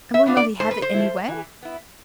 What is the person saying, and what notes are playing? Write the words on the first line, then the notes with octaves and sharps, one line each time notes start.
"And will not he have it any way?"
E5
B3 D4 F4
D5
G#2 C5
B4
C5
F3 A3 E4
E3
B3 E4